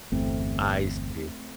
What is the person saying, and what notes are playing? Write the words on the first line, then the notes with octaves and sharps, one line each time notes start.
I see.
G1 E2 A3 C4